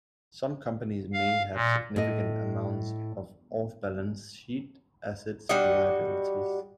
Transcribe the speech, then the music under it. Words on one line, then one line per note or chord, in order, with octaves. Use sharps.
Some companies may have significant amounts of off-balance sheet assets and liabilities.
F5
A#2
A2 D#5
G3 D4 F#4 D#5